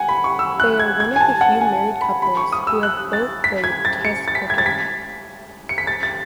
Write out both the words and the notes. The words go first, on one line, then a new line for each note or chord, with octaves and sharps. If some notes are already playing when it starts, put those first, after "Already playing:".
They are one of the few married couples who have both played Test cricket.
Already playing: F#5 G#5
B5
C#6
E6
F#6
G#6
G#6
G#5
A5
F#5
G#5
B5
B5
C#6
D#6
E6
F#6
A6
B6
G#6
A6
C#7
A6
B6
G#6
A6
B6
C#7
B6
A6
A6